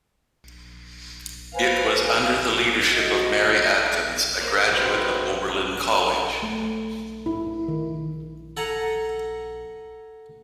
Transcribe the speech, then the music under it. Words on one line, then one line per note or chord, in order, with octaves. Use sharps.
It was under the leadership of Mary Atkins, a graduate of Oberlin College.
B4 C5 F5 G#5
F#4 D#5
A#3 A#4 C5 D5
G2 G#3 C4 F#4 B4 C5 E5 G5
A3
E4
D#3
A4 F#5 G#5 A#5